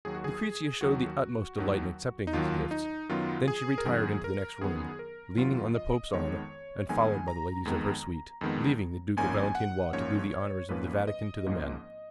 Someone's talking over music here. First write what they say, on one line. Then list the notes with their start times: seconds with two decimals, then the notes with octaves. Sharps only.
Lucrezia showed the utmost delight in accepting these gifts; then she retired into the next room, leaning on the pope's arm, and followed by the ladies of her suite, leaving the Duke of Valentinois to do the honours of the Vatican to the men.
0.05 D#2 D#3 F#3 G#4
0.14 F#4
0.24 G#4
0.43 G#4
0.81 D#2 D#3 F#3 F#4
1.58 D#2 D#3 F#3
2.27 D#4
2.33 D#2 D#3 F#3 F4
2.71 D#4
3.09 F#2 D#3 F#3 B3 F4
3.48 G#4
3.78 A#4
3.85 F#2 D#3 F#3 B3 G#4
4.24 A#4
4.61 F#2 D#3 F#3 B3 G#4
4.99 A#4
5.37 F#2 D#3 F#3 B3 F4
5.75 D#5
6.13 F2 D#3 G#3 B3 C#5
6.89 F2 D#3 G#3 B3 G#5
7.28 A#5
7.65 F2 D#3 G#3 B3
8.41 F2 D#3 G#3 B3
9.17 G#1 G#2 F3 A#3 C#4 G#5
9.55 F#5
9.93 G#1 G#2 F3 A#3 C#4 C#5
10.69 G#1 G#2 F3 A#3 C#4 B4
11.07 D#5
11.46 G#1 G#2 F3 A#3 C#4